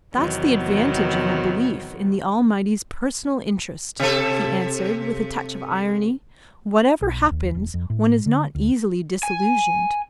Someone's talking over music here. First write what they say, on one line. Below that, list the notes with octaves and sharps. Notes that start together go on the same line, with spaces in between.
"That's the advantage of a belief in the Almighty's personal interest," he answered, with a touch of irony: "whatever happens, one is not easily disillusioned."
E2 C3 D#3 F#3 B3
C3 A4
B1
D#2
E1
F2
A2
D3
D2
G#5